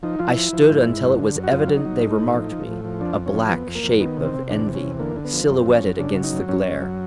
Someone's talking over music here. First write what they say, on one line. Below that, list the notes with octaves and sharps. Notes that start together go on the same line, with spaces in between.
I stood until it was evident they remarked me, a black shape of envy, silhouetted against the glare.
F3 D#4
F3 F4
E4
F3
F3
G#2
G#2
F#2
D3
F#2
F#4
F#2 F4
F#3
D#4
F#3
A2
A2
F3
F3
A2
F3
F2 D4
F2
C#4
F3
F2 B3
F2
A#3
F2
D#3 B3
C3
C4
C3
E2 D4
C3
C#4
E2
D3 A#3
D3
B3
F3
F#2 C4
F3
C#4
F#2
C#3 D4
F#3
D#4
F#2
F#2 C#4
F#2
F#3